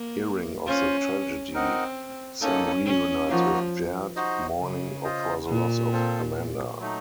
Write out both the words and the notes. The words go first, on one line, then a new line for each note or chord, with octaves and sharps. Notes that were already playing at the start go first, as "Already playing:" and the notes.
Hearing of the tragedy, Sam reunites with Jared, mourning for the loss of Amanda.
Already playing: A#3
C#4 F4 C5 F5
C4 D#4 A#4 D#5 F#5
A#3 C#4 D#4 A4
C#4
F3 A#3 D#4 F#4
D#4 F#4 C5 D#5
C#3
F4 C5 D#5
A#2
C4 F4 A4 C5
F#3 A3 D#4